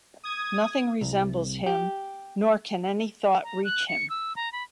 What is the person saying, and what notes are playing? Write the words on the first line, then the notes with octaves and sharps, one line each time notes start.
Nothing resembles Him nor can any thought reach Him.
D#6 G#6
C2
G4
A#5
F#6
C#7
E6
A#5
B5